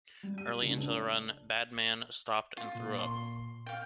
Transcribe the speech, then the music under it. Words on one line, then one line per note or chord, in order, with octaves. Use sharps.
Early into the run, Badmann stopped and threw up.
G3
D#7
C#2
D4
F4
A#2
C6
F5 G5